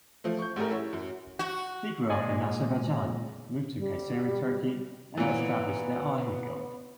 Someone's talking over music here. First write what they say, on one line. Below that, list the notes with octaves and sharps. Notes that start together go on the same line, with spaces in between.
He grew up in Azerbaijan, moved to Kayseri, Turkey and established the "Ahi" guild.
F3 A3
C#6 G6
A1 G3 A3 G#4 A#4
E4 C#5
F#2
F#4
A#2 G#3 D5 D#5 G#5
G3
A#2 E3 B3